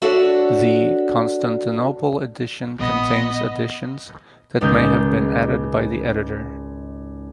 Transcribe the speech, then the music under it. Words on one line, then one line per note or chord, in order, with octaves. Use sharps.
The Constantinople edition contains additions that may have been added by the editor.
D4 F#4 A4 C#5 D5 E5
A#1 B3 D#5
G#1 C#2 G#3 D#4 A#4 G6